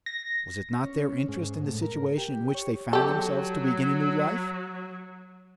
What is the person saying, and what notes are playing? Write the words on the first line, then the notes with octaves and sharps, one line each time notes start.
Was it not their interest in the situation in which they found themselves to begin a new life?
A#6
C#4
G#2
A2
A#4
G4
C#5
F#3 G4 A4